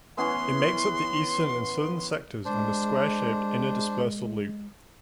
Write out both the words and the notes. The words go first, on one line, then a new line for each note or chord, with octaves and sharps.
It makes up the eastern and southern sections on the square-shaped Inner Dispersal Loop.
E3 B3 C#4 C6
G#3 D4 C5